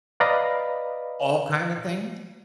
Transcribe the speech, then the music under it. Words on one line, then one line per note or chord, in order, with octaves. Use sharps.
all kinda things?
B4 D5 D#5 F5 A#5 B5